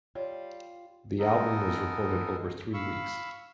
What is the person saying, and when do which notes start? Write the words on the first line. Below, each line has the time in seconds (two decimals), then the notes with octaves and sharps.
The album was recorded over three weeks.
0.15 G3 F4 C#5
1.19 G#3 B3 D#4 A4 A#4 D#5
2.74 F5 B5 C#6 E6